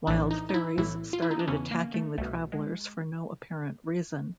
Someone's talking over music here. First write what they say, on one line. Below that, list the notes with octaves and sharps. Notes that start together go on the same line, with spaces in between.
Wild fairies started attacking the travelers for no apparent reason.
A#1 A2 E3 D4
D#4
D#4
E4
B1 A2 E3 E4
F4
E4
D#4
D4
E2 C#3 E3 C#4
A#3
A3
C2 B2 A3
G#3